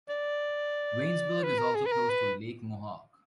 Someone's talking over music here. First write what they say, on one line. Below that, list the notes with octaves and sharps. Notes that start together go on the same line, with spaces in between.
Waynesburg is also close to Lake Mohawk.
D5
B4
A#4
G#4
B4
A#4
B4